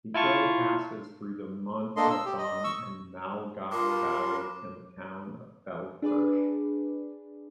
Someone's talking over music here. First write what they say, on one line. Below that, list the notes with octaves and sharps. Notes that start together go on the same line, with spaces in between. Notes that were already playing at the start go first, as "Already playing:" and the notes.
The Ill passes through the Montafon and Walgau valleys and the town Feldkirch.
E4 F4 A5 C#6
A#3 D4 A4 D#5 C6
E6
G4
D#5
C#6 E6
G3 D4 F4 A#4 C6 D6
D4 G#4 B4 D5